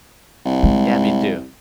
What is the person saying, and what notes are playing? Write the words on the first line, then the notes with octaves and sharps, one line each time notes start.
Yeah, me too.
C2
G#3